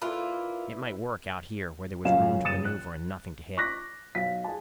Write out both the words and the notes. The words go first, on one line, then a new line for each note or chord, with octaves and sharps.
It might work out here where there was room to maneuver and nothing to hit.
A#3 E4 F4 B4 D5
C#2 F#2 A#2 C#4 F5 E7
F#1 D#6 A6 C#7 D#7 E7
F#6
C#6 D6 F#6 A#6 B6
B1 F5 B6
G#4 A5